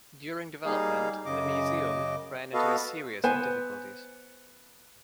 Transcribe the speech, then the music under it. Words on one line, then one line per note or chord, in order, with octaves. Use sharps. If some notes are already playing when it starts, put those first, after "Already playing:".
During development, the museum ran into a series of difficulties.
G3 A#3 D#4 G#4 F5
F#2 C#3 D#5 D6
B3 F#4 A4 B4 D#5 F5
B3 C5 G#5